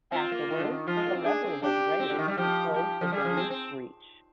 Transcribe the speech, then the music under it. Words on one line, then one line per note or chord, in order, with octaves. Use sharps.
Afterwards the lever was raised to close the gun's breech.
C4 F4
A#3
D#3
D3
D#3
F3 F4
G#3
A#3
C4
D4 G#4
C4
D4 G4
C4
D3
D#3
G3
F3 G4
G4
F3
G3 G#4
F3
C4
C4